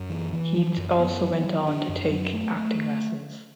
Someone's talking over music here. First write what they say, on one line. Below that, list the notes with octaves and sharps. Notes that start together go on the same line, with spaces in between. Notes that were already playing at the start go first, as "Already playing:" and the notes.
Heath also went on to take acting lessons.
Already playing: F#2
E3
E3
F#3
F#2
B3
F#3
F#3
D4
F#2
F#3
A3
A3